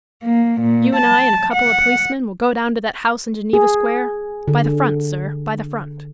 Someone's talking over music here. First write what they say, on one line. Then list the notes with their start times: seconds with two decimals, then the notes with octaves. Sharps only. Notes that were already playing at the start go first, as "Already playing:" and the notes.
"You and I and a couple of policemen will go down to that house in Geneva Square--by the front, sir, by the front."
0.23 A#3
0.61 A#2
0.95 A5
1.53 F#5
3.53 G#4
4.48 D3